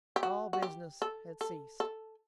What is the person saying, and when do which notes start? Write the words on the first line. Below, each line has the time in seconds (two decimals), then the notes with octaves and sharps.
All business had ceased.
0.16 G4
0.23 F#4
0.53 F#4
0.62 G4
1.02 A4
1.41 A4
1.80 A4